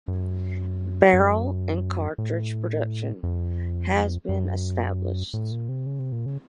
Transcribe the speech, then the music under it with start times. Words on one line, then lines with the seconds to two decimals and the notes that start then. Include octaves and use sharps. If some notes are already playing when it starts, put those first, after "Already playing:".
Barrel and cartridge production has been established.
0.08 F#2
1.13 F#2
2.18 A2
3.23 F2
4.29 F#2
5.34 A2
5.52 A#2
5.69 C3
5.86 C#3
5.99 C3
6.12 A#2
6.26 C#3